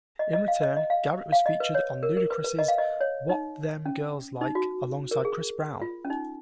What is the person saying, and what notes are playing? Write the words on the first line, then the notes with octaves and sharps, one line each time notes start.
In return, Garrett was featured on Ludacris's "What Them Girls Like", alongside Chris Brown.
D#5
D#5
F5
D#5
D#5
F5
F5
D#5
B4
C#5
A#4
A#4
B4
B4
D#5
F5
D#5
C#5
D#4
C#4
D#4
F#4
A#4
G#4
F4
C#4
D#4